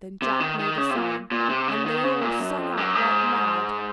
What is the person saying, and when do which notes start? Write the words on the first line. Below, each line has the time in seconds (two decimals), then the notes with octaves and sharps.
Then Jack made a sign, and they all sung out like mad.
0.22 C3
0.40 D#3
0.59 D#3
0.78 C#3
0.90 C3
0.96 A#2
1.32 A#2
1.50 C3
1.68 C#3
1.86 D#3
2.04 C#3
2.22 A#2
2.40 F#2
2.58 F2
2.77 F#2
2.95 G#2